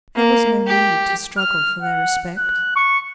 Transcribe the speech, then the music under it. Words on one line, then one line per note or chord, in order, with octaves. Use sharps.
There was no need to struggle for their respect.
A#3
G4
F6
F#5
F#6
C#6